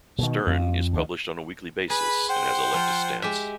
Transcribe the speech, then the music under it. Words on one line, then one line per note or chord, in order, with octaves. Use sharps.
"Stern" is published on a weekly basis and has a leftist stance.
B2 D#3
F2
D2 D#3
G#4 B4 B5
C5 F#5 G5
F3 F4
G#3 G4 E5